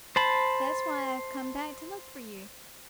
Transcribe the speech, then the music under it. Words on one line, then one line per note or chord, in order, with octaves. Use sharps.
That's why I've come back to look for you.
C5 A5 B5